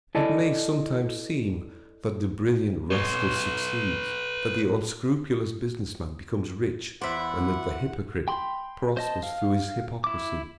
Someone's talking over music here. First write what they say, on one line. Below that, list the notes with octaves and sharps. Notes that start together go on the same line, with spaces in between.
It may sometimes seem that the brilliant rascal succeeds, that the unscrupulous business man becomes rich, and that the hypocrite prospers through his hypocrisy.
E4 A4 D5 D#5 G#5 A5
B4 C#5
E2 C5 D5 E5 F#5 B5
G5 B5 C6
C5 D#5 A5
F5
E4 D6